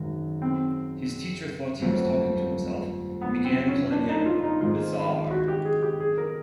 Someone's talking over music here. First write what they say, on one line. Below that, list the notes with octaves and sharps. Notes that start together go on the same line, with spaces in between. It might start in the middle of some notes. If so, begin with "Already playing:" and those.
His teacher thought he was talking to himself, and began calling him 'Bizarre'.
Already playing: G#1 F#2 D#3 G#3
C4
G1 F2 D3 F#3 A3
B3
C4
C#4
D4
D#4
F4
D#4
G#2 D#3 G#3 C4 F4
F#4
G4
G#4
G4
G#4
A#4